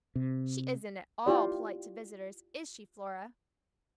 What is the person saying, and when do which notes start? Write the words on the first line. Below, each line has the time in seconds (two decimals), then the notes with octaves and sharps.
"She isn't at all polite to visitors, is she, Flora?"
0.16 C3
1.26 E4 F4 G4 D5